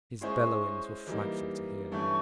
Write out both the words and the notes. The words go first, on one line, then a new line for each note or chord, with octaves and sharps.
His bellowings were frightful to hear.
G#3 C#4 E4 G#4 C5 C#6
E3 G3 A#3 D#4
G2 E3 A3 C#4 C#6